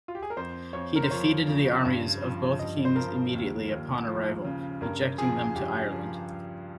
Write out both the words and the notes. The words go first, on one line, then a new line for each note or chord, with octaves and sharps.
He defeated the armies of both kings immediately upon arrival, ejecting them to Ireland.
F4
G4
G#4
A#4
F2 C5
F2 C#5
A#4
C5
F3 C#5
C#3
G2
F3
G2 D#5
C5
F3 A#4
D#2
D#2
F3
C#3
G2 A#4
F3 G#4
G2 G4
F3